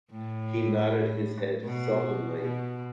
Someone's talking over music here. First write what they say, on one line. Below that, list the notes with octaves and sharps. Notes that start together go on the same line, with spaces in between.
He nodded his head sullenly.
A2
B2
B2